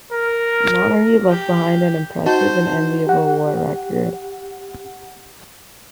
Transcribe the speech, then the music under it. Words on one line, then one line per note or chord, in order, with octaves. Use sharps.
"Monterey" left behind an impressive and enviable war record.
A#4
G4
D#4 F#4 C5 A5
G4 F#5